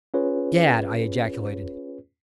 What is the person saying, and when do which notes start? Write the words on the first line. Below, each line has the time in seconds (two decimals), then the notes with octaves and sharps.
"Gad!" I ejaculated.
0.14 C#4 F4 G#4 B4 C#5